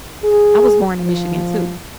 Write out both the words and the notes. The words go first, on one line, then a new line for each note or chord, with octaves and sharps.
I was born in Michigan too.
G#4
F3